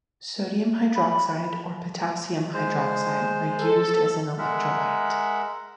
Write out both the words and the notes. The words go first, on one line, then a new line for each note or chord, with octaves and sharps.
Sodium hydroxide or potassium hydroxide are used as an electrolyte.
B5
G#3 C5
A4
G#3 A#4 E5 F#5